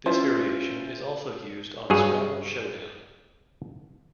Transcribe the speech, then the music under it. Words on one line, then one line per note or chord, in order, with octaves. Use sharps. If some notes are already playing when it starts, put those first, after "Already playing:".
This variation is also used on "Scrabble Showdown".
C#4 E4 F4 B4 C5
G2 F#3 G#4 C#5